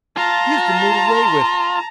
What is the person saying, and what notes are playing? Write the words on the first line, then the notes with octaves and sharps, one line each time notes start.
He has been made away with.
F4 A5 A#5